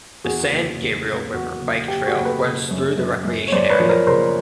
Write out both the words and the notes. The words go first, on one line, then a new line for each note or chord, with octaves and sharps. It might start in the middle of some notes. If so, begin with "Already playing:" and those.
The San Gabriel River Bike Trail runs through the recreation area.
E2 F#4 G#4
F#1
E2
C#3
E2 F#4
F#1
F#1 G4
F#4 G#4
F#1
A4 B4
C#3
F#2
F#2
F#2
C#5
F#2 C5 D5
B4 C#5
F3
A#4 C5
C#3 A#4 C5